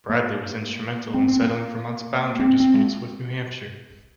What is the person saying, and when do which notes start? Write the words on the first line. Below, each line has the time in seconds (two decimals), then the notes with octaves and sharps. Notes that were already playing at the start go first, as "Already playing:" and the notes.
Bradley was instrumental in settling Vermont's boundary disputes with New Hampshire.
0.09 A#3
1.14 C4
1.28 C4
1.42 A#3
2.39 C4
2.60 C4
2.74 G#3